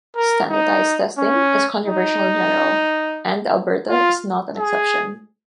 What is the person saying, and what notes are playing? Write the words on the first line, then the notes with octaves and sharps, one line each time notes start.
Standardized testing is controversial in general, and Alberta is not an exception.
A#4
D#4
C#4
D#4
F4
G#4